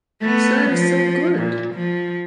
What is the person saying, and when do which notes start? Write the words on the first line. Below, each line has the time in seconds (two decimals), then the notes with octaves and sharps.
Sir is so good!
0.21 A3 B3
0.70 F3
1.39 A#2
1.74 F3